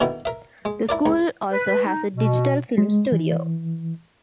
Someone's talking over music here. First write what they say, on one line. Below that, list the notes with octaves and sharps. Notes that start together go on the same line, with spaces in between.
The school also has a digital film studio.
B2 D3 D#3 E4
A#4 E5
G#3
E4 A#4 D5
C#2
B4
D#4
B2
G#3
E3